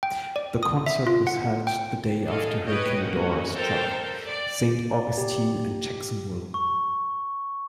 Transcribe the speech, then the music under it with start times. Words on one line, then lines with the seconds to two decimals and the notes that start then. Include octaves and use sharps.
The concert was held the day after Hurricane Dora struck Saint Augustine and Jacksonville.
0.03 G5
0.36 D5
0.63 D#6
0.86 E5
1.07 F4
1.27 F#5
1.67 G5
2.27 D4 G#4 A4 D#5 F5
2.65 B4 C#5 D#5 G5
2.99 A#3 C#4 F#4
3.55 A4 A#4 C5 G5 A5 A#5
4.27 D5
4.92 D5
5.18 G4
6.54 C#6